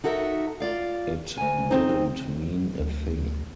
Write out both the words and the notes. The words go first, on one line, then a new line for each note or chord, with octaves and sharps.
It didn't mean a thing.
D#4 F#4 A4 A#4 E5
F4 D5 F5
D2 G#5
C4 D#4
D2